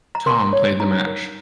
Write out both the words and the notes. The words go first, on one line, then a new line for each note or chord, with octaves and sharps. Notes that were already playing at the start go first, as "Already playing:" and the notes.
Thom played the match.
A#5
A#4 C6
C#5
D#4 A#5
A#4